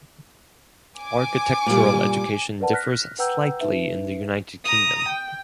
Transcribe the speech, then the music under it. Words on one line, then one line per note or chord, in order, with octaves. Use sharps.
Architectural education differs slightly in the United Kingdom.
G#5 D6
A#2 G3
A#4 B4 D5 F#5 A5
F6 F#6 A#6 B6
B4 F#5 G5 A#5 E6 G6
D#4 B4 E5
A#5 D#6
G5